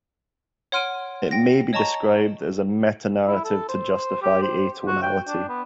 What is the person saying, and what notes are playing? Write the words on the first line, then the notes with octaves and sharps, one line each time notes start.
It may be described as a metanarrative to justify atonality.
C#5 F#5 C6 F6 D7 D#7
G5 A#6
C#5 D#5 A5 A#5 C#6
E4
A4
C5
G4
C5
F#4
G5
D4
B3